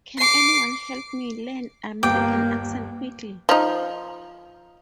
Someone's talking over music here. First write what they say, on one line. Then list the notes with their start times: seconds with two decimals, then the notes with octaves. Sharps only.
Can anyone help me learn american accent quickly.
0.18 D6 C7
2.03 G1 D#2 A#3 G5 D6
3.49 F3 D#4